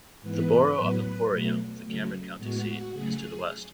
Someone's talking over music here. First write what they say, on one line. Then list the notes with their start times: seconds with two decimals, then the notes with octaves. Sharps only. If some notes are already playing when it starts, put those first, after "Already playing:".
The borough of Emporium, the Cameron County seat, is to the west.
0.22 G#2 E3 B3 B4
0.76 A2 F#3 B3
1.30 B2 F#3 A3
1.85 C#3 F#3 A3
2.38 A2 G#3 B3 F#4
2.93 C#3 F#3 A3 G#4